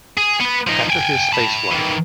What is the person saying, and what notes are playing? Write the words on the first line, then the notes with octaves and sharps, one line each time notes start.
After his spaceflight.
G#4
B3 B4
F3 D#4
G5 G#5
A5 B5
D#3 E3